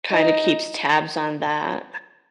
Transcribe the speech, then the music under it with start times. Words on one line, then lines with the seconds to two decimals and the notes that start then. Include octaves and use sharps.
kinda keeps tabs on that.
0.11 D#4